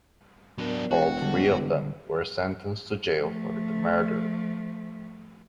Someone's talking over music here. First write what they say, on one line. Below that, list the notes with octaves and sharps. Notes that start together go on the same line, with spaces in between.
All three of them were sentenced to jail for the murder.
F#3 B3 D4 A#4 D5
E1 F#4 G5
D3 G3
F3 A3